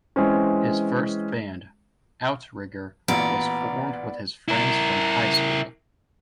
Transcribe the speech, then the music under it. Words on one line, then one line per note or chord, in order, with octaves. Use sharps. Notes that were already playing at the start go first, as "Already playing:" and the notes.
His first band, Outrigger, was formed with his friends from high school.
E3 G#3 C4 C#4
A1 A#2 B3 D5 A#5
E4 A#4